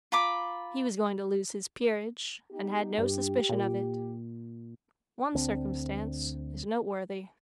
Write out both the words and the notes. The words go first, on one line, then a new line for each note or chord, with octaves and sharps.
He was going to lose his peerage, and had no suspicion of it. One circumstance is noteworthy.
F4 A#5 B5 D6
B3 D#4 G4
G2 G4
A#2
D2 C4 D4